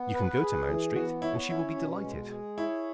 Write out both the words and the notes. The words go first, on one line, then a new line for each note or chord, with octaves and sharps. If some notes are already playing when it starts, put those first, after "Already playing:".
You can go to Mount Street, and she will be delighted.
Already playing: B3
B4
G#4
E3
B3 F#4
E4 C#5
C#4 E4
B2
G#3
G#4
E4 C#5